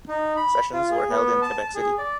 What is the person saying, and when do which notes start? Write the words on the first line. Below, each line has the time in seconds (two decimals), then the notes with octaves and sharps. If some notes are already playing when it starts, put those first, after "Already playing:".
Sessions were held in Quebec City.
0.08 D#4
0.36 B5
0.73 F4
0.91 G#4
1.09 B3
1.42 A5
1.75 G#4
1.98 D5